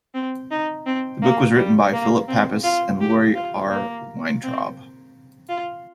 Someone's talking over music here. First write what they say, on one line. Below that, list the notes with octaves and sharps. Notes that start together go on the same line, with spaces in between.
The book was written by Phillip Papas and Lori R. Weintrob.
C4
D#4
C4
A#3
G3
A#3
C4
F4
G4
F4
A#3
C4
F4